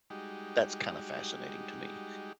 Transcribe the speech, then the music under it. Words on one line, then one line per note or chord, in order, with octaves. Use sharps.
that's kind of fascinating to me.
G3 G#3 D#4 F#4 G4